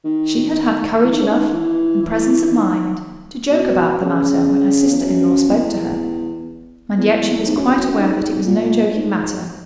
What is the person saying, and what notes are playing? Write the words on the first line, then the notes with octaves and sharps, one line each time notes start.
She had had courage enough, and presence of mind, to joke about the matter when her sister-in-law spoke to her, and yet she was quite aware that it was no joking matter.
D#3
E3
D#3
C#3
D#3
E3
E3
D#3
B2
C#3
E2
F#2
E2
E2
G#2
F#2
E2
F#2
G#2
A#2
A#2
G#2